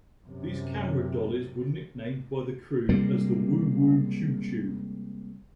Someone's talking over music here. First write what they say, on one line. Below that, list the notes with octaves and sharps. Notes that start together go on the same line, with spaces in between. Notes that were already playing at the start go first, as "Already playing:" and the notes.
These camera dollies were nicknamed by the crew as "the Woo-Woo Choo-Choo".
F#2 C3
C3 G3 G#3 A#3